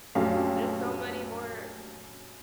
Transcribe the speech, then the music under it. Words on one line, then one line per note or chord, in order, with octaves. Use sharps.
there's so many more
A#1 F#2 A3 G4 F5